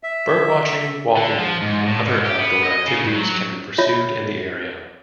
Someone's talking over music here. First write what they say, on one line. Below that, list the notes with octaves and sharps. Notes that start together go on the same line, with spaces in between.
Bird watching, walking and other outdoor activities can be pursued in the area.
E5
D3
F3
G#2
A2
G#2
G4
B3
D#5
C#3
G2
F#3
F4 C#5 D5 E5